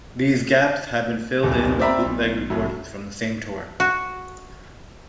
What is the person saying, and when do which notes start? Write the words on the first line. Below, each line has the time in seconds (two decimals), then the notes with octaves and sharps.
These gaps have been filled in with bootleg recordings from the same tour.
1.43 D#1 B1
1.79 C4 D5 E5 A#5 B5
2.03 B1
2.50 C2 A2 F#3
3.80 F#4